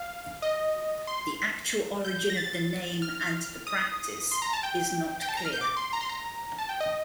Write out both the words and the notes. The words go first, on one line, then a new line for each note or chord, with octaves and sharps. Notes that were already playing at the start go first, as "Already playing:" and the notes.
The actual origin of the name and the practice is not clear.
Already playing: F5
D#5
C6
G6
A#6
A6
F6
D#6
C6
A#5
A5
G5
G5
A5
A#5
F6
G6
D6
C6
A#5
C6
A#5
A5
G5
D#5